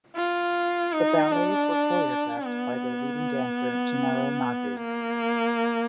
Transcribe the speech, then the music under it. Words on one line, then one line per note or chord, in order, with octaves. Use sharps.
The ballets were choreographed by their leading dancer, Gennaro Magri.
F4
D#4
D4
B3
A#3